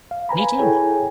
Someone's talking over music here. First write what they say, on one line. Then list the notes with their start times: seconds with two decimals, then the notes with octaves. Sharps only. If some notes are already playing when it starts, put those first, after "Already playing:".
Me too!
0.11 F5
0.29 B4 G#5 A#5 B5
0.58 E4 G#4 A4 C#5 G5 G#5